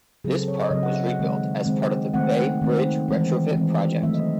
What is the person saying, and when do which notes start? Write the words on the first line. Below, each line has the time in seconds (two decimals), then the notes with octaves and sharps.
This part was rebuilt as part of the Bay Bridge retrofit project.
0.24 C#3 F#3 C4 G#4
0.36 A4
0.48 C#5
0.60 D#5
0.71 C#3 F#3 C4 D#5
0.83 F#5
0.94 E5
1.07 F#5
1.19 D#3 G#3 C4
1.66 D#3 G#3 C4
2.13 D#3 A3 C4 F#5
2.61 D#3 A3 C4
3.08 E3 G#3 C4
3.55 E3 G#3 C4
4.03 D#3 F#3 A3 C4 E5
4.14 D#5